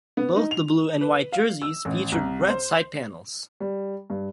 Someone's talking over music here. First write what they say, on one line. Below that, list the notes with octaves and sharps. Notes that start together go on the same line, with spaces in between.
Both the blue and white jerseys featured red side panels.
B3
D#4
F7
B4
F5
E6
A1
C2
C5
G3
G2